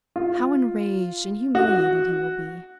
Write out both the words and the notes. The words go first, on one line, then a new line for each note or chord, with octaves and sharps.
How enraged and humiliated he will be!
F4
F#4